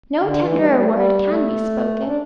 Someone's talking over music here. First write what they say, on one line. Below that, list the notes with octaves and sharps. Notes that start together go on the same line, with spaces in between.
No tenderer word can be spoken.
D3
E3
A3
G3
A3
G3
A3
G3
A3
D4